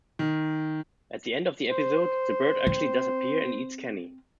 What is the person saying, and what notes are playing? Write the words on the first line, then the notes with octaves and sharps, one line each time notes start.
At the end of the episode, the bird actually does appear and eats Kenny.
D#3
C5
C4